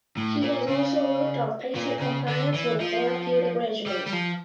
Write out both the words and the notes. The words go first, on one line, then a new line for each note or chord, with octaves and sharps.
He has also worked on patient compliance with therapeutic regimens.
A2
A#2
C#3
A#2
C#3
D3
E3
F3
G3
G3
F3